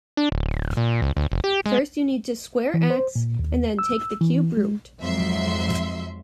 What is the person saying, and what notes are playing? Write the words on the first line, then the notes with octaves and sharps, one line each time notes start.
First you need to square x, and then take the cube root.
D4
D1
A#2
C#2
D2
F1
G4
G#3
E3
C5
A#2
D#2
E6
E3
G#3
F2 G#2 F#3 E5 C6